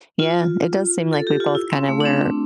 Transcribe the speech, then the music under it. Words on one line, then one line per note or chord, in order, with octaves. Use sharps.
Yeah. It does seem like we both kinda were
F4
A4
G4
F4
E4
C4
A3
D4
C4